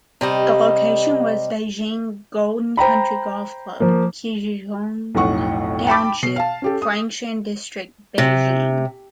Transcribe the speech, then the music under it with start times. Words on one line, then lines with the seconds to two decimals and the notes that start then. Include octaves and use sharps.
The location was Beijing Golden Century Golf Club, Qinglonghu Township, Fangshan District, Beijing.
0.21 C3 G3 D#5
2.77 C5 G5 A#5 B5
3.80 F3 A#3
5.15 B1 F2 A2 F#5 C#6
5.87 G5 A5 B5 D6
6.23 B2 C7
6.36 F5 A5
6.62 C#4 G4 A4
6.82 D#6
8.18 C3